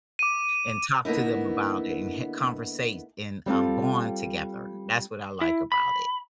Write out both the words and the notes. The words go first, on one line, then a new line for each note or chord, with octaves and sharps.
and talk to them about it, and h conversate and, um, bond together. That's what I like about it.
D6 D#7
D3 A#3 B3 D#4 E4
G3 C4 F4 A4
E4
B5